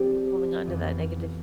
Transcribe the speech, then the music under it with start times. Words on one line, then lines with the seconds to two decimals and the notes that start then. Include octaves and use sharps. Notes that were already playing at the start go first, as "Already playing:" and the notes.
Holding on to that negative,
Already playing: F3 C4 G4 D5
0.66 F2 E3 B3 F4